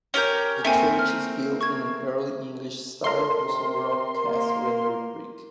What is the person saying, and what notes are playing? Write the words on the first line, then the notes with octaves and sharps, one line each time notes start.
The church is built in an Early English style using roughcast rendered brick.
C#4 G4 A#4 C#5 G6
A3 A#3 C4 A#4 E5 G5 G#5
F6
C#6 G#6
A4 A#4 C6
C3
A#3